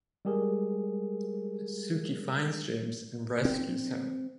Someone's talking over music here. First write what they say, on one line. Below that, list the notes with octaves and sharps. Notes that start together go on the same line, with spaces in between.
Suki finds James and rescues him.
G3 G#3 G4 G#4 A#4
C4